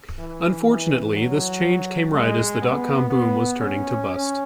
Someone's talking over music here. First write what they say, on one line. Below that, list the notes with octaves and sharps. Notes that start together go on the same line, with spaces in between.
Unfortunately, this change came right as the dot-com boom was turning to bust.
E3
E3
F#3
G#3
B3
B3
C#4
C#4